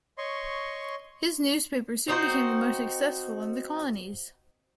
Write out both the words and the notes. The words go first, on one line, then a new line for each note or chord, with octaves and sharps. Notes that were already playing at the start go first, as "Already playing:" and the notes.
His newspaper soon became the most successful in the colonies.
C#5 D#5 C6 C#6
C4 D#4 F#4 C5